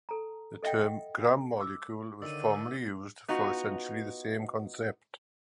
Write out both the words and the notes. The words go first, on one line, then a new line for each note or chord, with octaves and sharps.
The term "gram-molecule" was formerly used for essentially the same concept.
A4 A5 A#5
A4 D#5 E5 F#5 G5
D6 E6
D3 D#3 D5 E5 E6 D#7
B3 D#4 F4 F#4